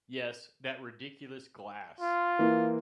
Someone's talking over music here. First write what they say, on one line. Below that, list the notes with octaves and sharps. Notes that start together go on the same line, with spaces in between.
Yes, that ridiculous glass.
F4
E3 A#3